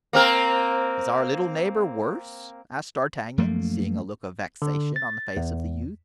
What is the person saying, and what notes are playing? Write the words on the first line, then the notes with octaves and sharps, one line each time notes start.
"Is our little neighbor worse?" asked D'Artagnan, seeing a look of vexation on the face of the youth.
A#3 C4 A#4
F#2 F3 A3 A#3
D3
A6
E2